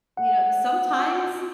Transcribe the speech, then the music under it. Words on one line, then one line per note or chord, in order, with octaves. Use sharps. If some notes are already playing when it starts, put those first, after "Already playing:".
you know, sometimes
F#5